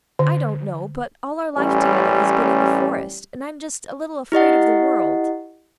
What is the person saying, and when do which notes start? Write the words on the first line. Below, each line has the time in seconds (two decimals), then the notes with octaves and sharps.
"I don't know; but all our life together has been in the forest, and I'm just a little afraid of the world."
0.19 D3
1.57 A1 G3 C#4
4.32 E4 G4 D#5 F#5